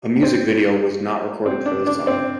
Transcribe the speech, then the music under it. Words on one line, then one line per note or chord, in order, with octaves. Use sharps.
A music video was not recorded for the song.
C4
C4
D4
D4
C4